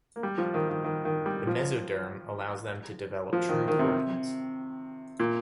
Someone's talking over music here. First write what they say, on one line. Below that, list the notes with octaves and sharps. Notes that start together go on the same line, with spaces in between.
The mesoderm allows them to develop true organs.
A#3
G3
F3
D#3
D#3
D#3
D#3
G3
F3
F3
D#3
D#3
C3
A#2